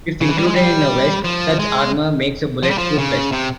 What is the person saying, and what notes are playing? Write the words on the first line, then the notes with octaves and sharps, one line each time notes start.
If included in a vest, such armor makes a bullet-proof vest.
C#3
E3
G3
G#3
G3
F3
G#3
F3
G3
F3
C#3
C3